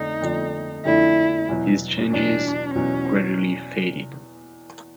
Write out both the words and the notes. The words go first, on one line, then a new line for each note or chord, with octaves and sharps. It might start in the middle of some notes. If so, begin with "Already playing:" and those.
These changes gradually faded.
Already playing: F2 D3 A3 D4 D#4
F2 D3 F3 A3 D4
F2 D3 F3 A3 D4 E4
E2 B2 F#3
E2 B2 F#3 D4
E2 B2 F#3 C#4